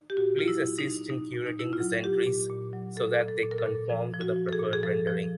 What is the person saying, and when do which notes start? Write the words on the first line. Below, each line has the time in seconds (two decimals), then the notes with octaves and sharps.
Please assist in curating these entries so that they conform to the preferred rendering.
0.10 G4
0.17 A#2 F#4
0.39 F#3 F4
0.48 E4
0.63 A#2
0.79 D#4
0.86 A#2
1.10 A#2 D#4
1.34 A#2
1.46 D#4
1.56 A#2 E4
1.73 F4
1.80 F#3
2.03 A#2 G4
2.27 A#2
2.50 A#2
2.73 F#3
2.96 A#2 A4
3.19 A#2
3.28 A4
3.43 A#2
3.51 A#4
3.58 A4
3.67 A#2
3.90 F3
4.14 F3
4.21 F#4
4.36 F3
4.49 A4
4.53 G#4
4.60 A#2
4.73 G#4
4.83 F3 A4
5.07 F3